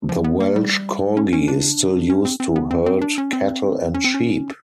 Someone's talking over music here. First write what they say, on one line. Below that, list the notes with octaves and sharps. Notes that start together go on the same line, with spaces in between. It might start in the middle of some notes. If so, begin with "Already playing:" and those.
The Welsh Corgi is still used to herd cattle and sheep.
F3
B3
A#3
G3
C#4
C#4
D4
C#4
C4
C4
B3
C4
C4
D4
C#4
C4
C#4
C4
C#4